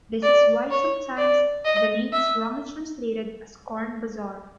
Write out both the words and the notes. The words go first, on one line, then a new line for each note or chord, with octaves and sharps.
This is why sometimes the name is wrongly translated as "Corn Bazaar".
D5
C#5
D5
D#5
E5